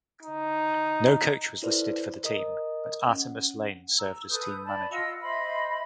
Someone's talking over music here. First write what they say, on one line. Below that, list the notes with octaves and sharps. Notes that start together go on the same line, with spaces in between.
No coach was listed for the team but Artemus Lane served as team manager.
D#4
E4 A4 B4 C5 D5
C5
A#4 D#5 D#6
C#4 F#5
A#5 E6
A4 B4 D#6 G6
D5 A5 B5
F4 D#5 F#5 E6
C5 D#5 E5 B5